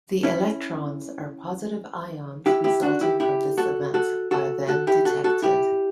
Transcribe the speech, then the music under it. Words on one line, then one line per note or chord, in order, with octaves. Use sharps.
The electrons or positive ions resulting from this event are then detected.
C#4 E4
E4 G4
E4 G4
D4 F#4
E4 G4
E4 G4
F#4 A4
F#4 A4
F#4 A4
F#4 A4
E4 G4
F#4 A4
F#4 A4
E4 G4